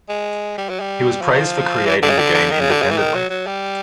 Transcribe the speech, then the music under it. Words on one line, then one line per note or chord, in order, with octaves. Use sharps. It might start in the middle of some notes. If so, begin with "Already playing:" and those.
He was praised for creating the game independently.
G#3
G3
F#3
G3
F3
E3
D3
C#3
D3
D3
D#3
C#3
D3
C#3
E3
D#3
F#3
F#3
G3